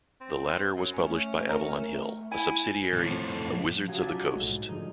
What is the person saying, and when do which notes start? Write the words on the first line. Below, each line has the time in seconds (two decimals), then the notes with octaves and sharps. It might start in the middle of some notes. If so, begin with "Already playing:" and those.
The latter was published by Avalon Hill, a subsidiary of Wizards of the Coast.
0.21 C4
0.76 F#2
0.94 A3 C#4
1.49 A#4
2.31 E4 G#5
2.93 F2 A2
3.88 C#3 F#3 G#4
4.01 F3 D5 E5
4.14 F#3 D#4
4.34 B1 A2 G#3
4.47 G#2
4.69 D3 F3 G#3 D#4